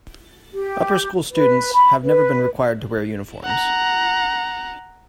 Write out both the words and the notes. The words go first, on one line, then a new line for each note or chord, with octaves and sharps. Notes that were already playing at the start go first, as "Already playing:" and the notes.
Upper school students have never been required to wear uniforms.
G4
B4
B5
B4
F#5 A#5